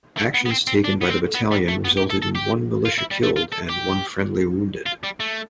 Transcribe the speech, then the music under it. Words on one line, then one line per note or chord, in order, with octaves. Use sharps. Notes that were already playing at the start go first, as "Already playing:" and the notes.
Actions taken by the battalion resulted in one militia killed and one friendly wounded.
A3
B3
B3
C4
C4
D4
B3
C4
B3
G3
A3
B3
G4
A4
A4
G4
F4
E4
G3
A3
F4
A4
G4
F4
G3
A3